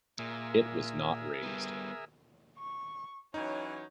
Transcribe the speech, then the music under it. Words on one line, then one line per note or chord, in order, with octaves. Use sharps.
It was not raised.
A#2 G#4 A#4 E5
G3 B3
C#6
E3 F#3 C#4 D#4 C#5